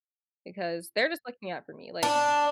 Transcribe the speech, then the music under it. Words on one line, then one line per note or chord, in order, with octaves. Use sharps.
because they're just looking out for me. Like,
D4